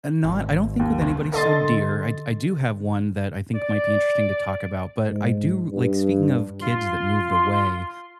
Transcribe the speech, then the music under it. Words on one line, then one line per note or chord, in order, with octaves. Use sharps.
Eh, not I don't think with anybody so dear, I d I do have one that I think might be interesting to talk about, but I do like, speaking of kids that moved away,
G#1
D#2
C2
D3 A4 D#5 C6 A6
D5
G#2
G2
F4 C6